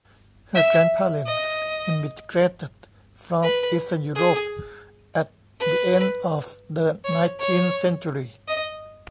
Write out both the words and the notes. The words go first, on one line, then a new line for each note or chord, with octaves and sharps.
Her grandparents immigrated from Eastern Europe at the end of the nineteenth century.
E5
D#5
B4
G#4
B4
C#5
C#5
D#5